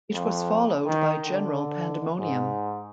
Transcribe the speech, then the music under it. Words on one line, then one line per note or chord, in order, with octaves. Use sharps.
It was followed by general pandemonium.
F2
D#3
D3
G#2